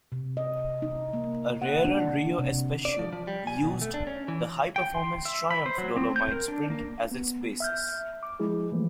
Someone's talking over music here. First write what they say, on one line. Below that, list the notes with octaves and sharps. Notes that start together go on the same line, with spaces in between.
A rarer Rio Especial used the high-performance Triumph Dolomite Sprint as its basis.
C3
D#5
D#4
A#3
F#5
D4
C3
D5
F3
F3
G3
G#5
B2
A3
D4
C#4
E3
G5
C6
E5
B5
C5
F#3
C4
G6
A#4
D4
A#3
B3
E5 F6 G6
D6
F3 G#3 E4 G#4
E3 F3 A3 A#3